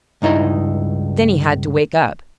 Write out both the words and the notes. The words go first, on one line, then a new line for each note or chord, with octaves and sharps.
Then he had to wake up.
C#2 G2 D#4 E4 D#5